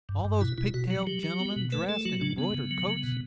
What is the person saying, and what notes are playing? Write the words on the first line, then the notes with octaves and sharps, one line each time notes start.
All those pigtailed gentlemen dressed in embroidered coats.
G2
G2
B2 E4
B2 E4
B2 F#4
F#3
F#3 G4
F#3
B3
B2
A3 B4
A3 A4
F#3 F#4
C#3 D4
C#3 B3
C#3
F#3
C#3
B2